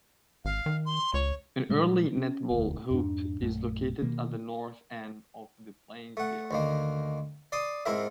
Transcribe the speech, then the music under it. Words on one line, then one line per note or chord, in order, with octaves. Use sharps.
An early netball hoop is located at the north end of the playing field.
G#1 F5
D#3
C6
C#2 C#5
A#2 G3 G#3
C#4
E1 D2
F2 G#2 D4
A#1 F#2 A3
B2 D#3 A#3
A3 F#5
D2 D#3 A#3
D5 C6 D6 D#6
G#2 C4 E4 A#4 E5